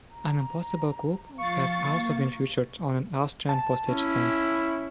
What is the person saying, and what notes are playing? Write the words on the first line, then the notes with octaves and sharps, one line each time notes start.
An impossible cube has also been featured on an Austrian postage stamp.
A#5
F3 F5 C#6 A6
A#3
A5
C#4 E4